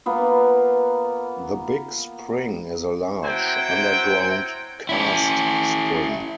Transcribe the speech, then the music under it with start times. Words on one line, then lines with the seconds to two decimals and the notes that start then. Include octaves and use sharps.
The Big Spring is a large, underground karst spring.
0.06 A#3 B3 F4
3.24 F#3 C4 E4 C5 F#5 G5
4.89 C#4 E4